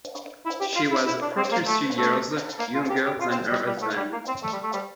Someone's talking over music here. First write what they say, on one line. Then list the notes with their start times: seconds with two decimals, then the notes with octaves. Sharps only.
She was forty-three years younger than her husband.
0.45 E4
0.60 G4
0.76 F4
0.91 E4
1.06 E4
1.22 D4
1.37 C4
1.52 A#3
1.67 A3
1.98 A3
2.59 A#3
2.75 F4
2.90 G4
3.05 G4
3.21 F4
3.31 C4
3.51 G3
3.67 G3
3.82 A3
3.97 G3
4.13 A#3
4.28 C4
4.43 A3
4.53 G3
4.63 A3
4.73 G3